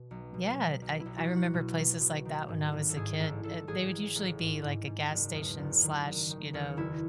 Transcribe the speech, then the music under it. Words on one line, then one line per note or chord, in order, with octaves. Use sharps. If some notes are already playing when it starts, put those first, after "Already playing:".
Yeah, I I remember places like that when I was a kid, uh, they would usually be like a gas station slash, you know,
Already playing: B2
B1
B2
B1
B1
E4
B1
F#4
B1
F#4
B2
B1
B2
D#3
G#2
A1
A4
G#2 G#4
A1 A4
A1 A4
A1 G#4
A1
A1
G#2
G#2
G#2
F#1
E2
F#1
D#3
F#1
D#3
E2 C#4
F#1 E4